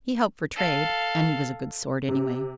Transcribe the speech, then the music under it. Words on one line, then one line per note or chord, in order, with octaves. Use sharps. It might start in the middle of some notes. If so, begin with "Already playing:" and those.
He hoped for trade, and he was a good sort anyway.
A4 F5
C3